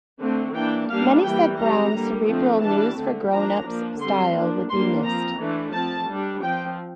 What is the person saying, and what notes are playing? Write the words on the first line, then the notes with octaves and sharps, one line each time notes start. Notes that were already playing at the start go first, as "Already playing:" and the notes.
Many said Brown's cerebral "news for grown-ups" style would be missed.
D3 A3 C4
E3 A#3 D4 G5
G3 A#3 D4 F5
E3 G3 A#3 G5
G3 C4 A#5
D3 G3 A#3
D3 F3 A3 C4
E3 G3 D4 A5
D3 A3 C4
F3 A#3 D4 A#5
F3 A#3 D4
D3 G3 C4 C6
F3 A#3 D4
G3 A#3 D4 C6
F3 C4 A#5
E3 A3 D4
F3 C4 A5
G3 D4
F3 C4 G5